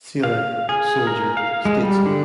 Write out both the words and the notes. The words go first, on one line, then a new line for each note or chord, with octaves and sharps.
Sailor - Soldier - Statesman.
F5
G#4
A#4
F5
G#3
G3
D3